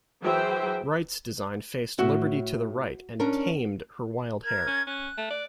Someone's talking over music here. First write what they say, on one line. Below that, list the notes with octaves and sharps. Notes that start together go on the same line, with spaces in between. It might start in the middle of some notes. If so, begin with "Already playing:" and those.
Wright's design faced Liberty to the right and "tamed" her wild hair.
E3 F#3 G#4 C5 E5 G5
A2 F#4 E5
C#4 D4 A#4
A#4 G#6
C#4
C#4 F#6
A3
D5